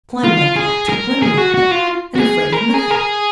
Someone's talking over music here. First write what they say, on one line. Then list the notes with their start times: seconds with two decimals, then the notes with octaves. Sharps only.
To climb like that! to run like that! and afraid of nothing.
0.24 F4
0.56 G#4
0.89 A#4
1.22 G#4
1.38 F#4
1.54 F#4
1.71 F4
2.15 F#4
2.20 G#4
2.52 A#4
2.74 G#4
2.91 A#4
2.95 G#4